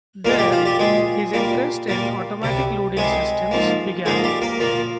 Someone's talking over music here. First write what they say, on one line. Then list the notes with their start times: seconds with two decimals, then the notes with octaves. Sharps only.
There, his interest in automatic loading systems began.
0.25 A#2 G#3 A#3 A#4
0.38 G3 G4
0.51 F3 F4
0.65 G3 G4
0.79 A#2 G#3 G#4
1.33 A#2 G3 A#3
1.88 A#2 G3 A#3
2.42 C2 C3 G3
2.97 C2 C3 G3 G#3 G#4
3.51 G#2 F3 A#3
4.05 G#2 F3 G#3 A#3 G#4
4.24 G3 G4
4.42 A#3 A#4
4.60 A#2 F3 A#3